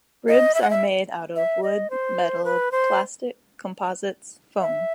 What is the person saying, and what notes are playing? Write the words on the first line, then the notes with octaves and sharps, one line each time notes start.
Ribs are made out of wood, metal, plastic, composites, foam.
D#5
E5
F#5
E5
E5
D#5
C5
B4
C5
E5